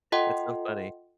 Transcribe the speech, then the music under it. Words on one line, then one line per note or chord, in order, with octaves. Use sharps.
That's so funny.
F4 A4 D#5 F#5 G5 C6